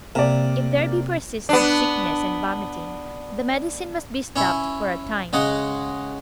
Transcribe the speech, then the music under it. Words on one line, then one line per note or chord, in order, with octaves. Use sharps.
If there be persistent sickness and vomiting, the medicine must be stopped for a time.
C3 A#3 D5
B3 D4
C#4 E4
C#3 G#3 F#5